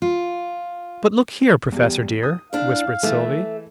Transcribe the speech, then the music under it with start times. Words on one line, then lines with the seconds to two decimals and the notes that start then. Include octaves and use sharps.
"But look here, Professor dear!" whispered Sylvie.
0.02 F4
1.72 E2 G3
2.23 D#6
2.53 A2 D4 F5
3.03 E3 A3